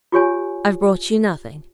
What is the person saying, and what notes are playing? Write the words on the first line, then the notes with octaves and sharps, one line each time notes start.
'I've brought you nothing.
F4 G4 C#5 G#5